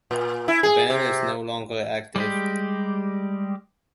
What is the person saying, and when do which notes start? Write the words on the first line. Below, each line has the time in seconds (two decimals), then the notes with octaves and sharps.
The band is no longer active.
0.11 A#2
0.48 E4
0.63 G#4
0.90 C3
2.16 G3 G#3 G4